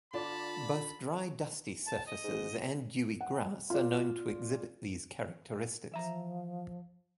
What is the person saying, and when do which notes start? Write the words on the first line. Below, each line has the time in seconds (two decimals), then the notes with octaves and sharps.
Both dry dusty surfaces and dewy grass are known to exhibit these characteristics.
0.13 D3 F4 D5 A5 B5 D6
1.85 A5
2.06 D#5
2.24 G#2
3.21 F#5
3.70 F4 D5
5.92 E3 F3 E5 A#5